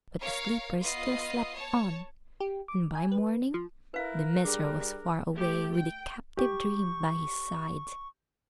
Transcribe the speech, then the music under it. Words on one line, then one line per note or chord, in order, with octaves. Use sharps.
But the sleepers still slept on, and by morning the miser was far away, with the captive dream by his side.
A#4 C#5 F5
B3 F4 D#5 C7
C#5 A5
G4
D6
G#5
B4
F3
E4 A#4 B4 F5 F#6
G3 D4 G#4 D6
A3 G4
G5
G4 C#6